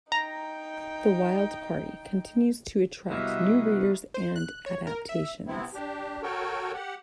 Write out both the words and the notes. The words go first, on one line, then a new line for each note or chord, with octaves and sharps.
"The Wild Party" continues to attract new readers and adaptations.
D#4 G5 A#5
C2 B2 A#3 F#4 G#4 B4 D#5 E5
C5
F#6
C#5
A#4
E5
C3 B3 C4 E4
D4 G4
F#4 A4 A#4 C#5 G5
G4 F#5